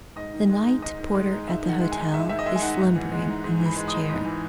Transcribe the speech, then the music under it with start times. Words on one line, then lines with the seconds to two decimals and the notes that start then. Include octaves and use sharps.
The night-porter at the hotel is slumbering in his chair.
0.16 G#2 D#5
0.33 D#3
0.49 G#3
0.66 D#4
0.82 G#2 D#5
0.99 D#3
1.14 G#3
1.31 D#4
1.48 G#2 E5
1.64 D#3
1.69 F#5
1.80 G#3
1.92 D#4 G#5
2.14 G#2 E5
2.29 D#3 E5
2.39 D#5
2.46 G#3 E5
2.56 G#5
2.62 D#4 F#5
2.79 G#2
2.96 E3
3.12 G#3
3.28 D#4
3.44 G#2
3.60 E3
3.66 B5
3.77 G#3
3.88 D#6
3.94 D#4
4.09 G#2
4.26 E3